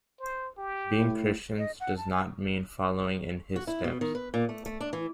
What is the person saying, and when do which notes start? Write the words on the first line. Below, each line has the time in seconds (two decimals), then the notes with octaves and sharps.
Being Christians does not mean following 'in his steps.
0.20 C5
0.58 G4
0.98 A2
1.58 D#5
1.80 F#5
1.97 A5
2.12 G#5
3.56 F#4
3.67 E4
3.84 B2
4.01 D#3
4.15 B4
4.34 A#2
4.49 A3
4.66 A3
4.81 D4
4.93 E3